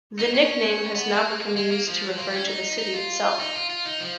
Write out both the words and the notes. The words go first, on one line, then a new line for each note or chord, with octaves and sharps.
The nickname has now become used to refer to the city itself.
D#4
C#4
B3
A#3
G#3
A#3
F3
A#3
C#4
D#4
D#4
F4
D#4
F4
F4
D#4
F3